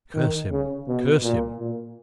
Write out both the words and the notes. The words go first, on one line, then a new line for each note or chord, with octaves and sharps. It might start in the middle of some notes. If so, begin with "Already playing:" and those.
Curse him! Curse him!
D#3
C#3
B2
A#2
A#2